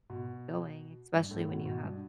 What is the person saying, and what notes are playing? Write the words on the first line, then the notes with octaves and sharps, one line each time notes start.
going, especially when you have
B2
G2
A2
B2
B2
G2